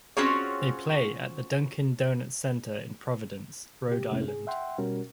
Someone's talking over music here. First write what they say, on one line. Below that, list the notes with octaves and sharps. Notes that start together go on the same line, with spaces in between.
They play at the Dunkin' Donuts Center in Providence, Rhode Island.
C4 C#4 F4 F#4 G#4 C#5
C3 G4
F2 C3 A3 A#3 C#4 E4
G#4
E5 F#5 G5 C6
B2 G3 C#4 F#4 A#4